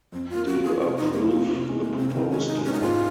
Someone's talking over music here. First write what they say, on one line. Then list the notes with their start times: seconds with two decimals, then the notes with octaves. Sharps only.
Do you approve the proposed law?
0.12 F2 C4
0.30 F4
0.35 A#3
0.47 F#4
0.57 F3
0.63 G#4
0.80 C3 F4
0.97 F2 D#4
1.13 A#3
1.25 F3
1.30 C4
1.47 C3
1.64 C#4
1.69 G#3
1.81 A#3
1.91 C3
1.97 C4
2.09 C#4
2.14 D#3 C4
2.31 C#4
2.37 G#3
2.47 D#4
2.58 G#3
2.64 C#4
2.73 D#4
2.81 G#2 F4